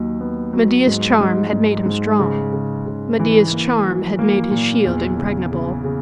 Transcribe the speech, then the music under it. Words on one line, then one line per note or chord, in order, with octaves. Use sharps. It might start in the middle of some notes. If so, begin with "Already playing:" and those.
Medea's charm had made him strong; Medea's charm had made his shield impregnable.
Already playing: D#2 F#3
B3
F#3
G#2
G#2
G#2
G#2
C#3
C#3
C#3
E3
A#3
F#3
A#3
A#2
E2
C#3
C#3
C#3